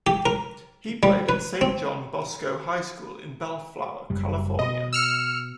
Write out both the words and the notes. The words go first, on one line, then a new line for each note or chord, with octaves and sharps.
He played at Saint John Bosco High School in Bellflower, California.
G4
A#4
G3
B4
C4
F#1 F#2 G3
B2 D#5
E6 F6 C#7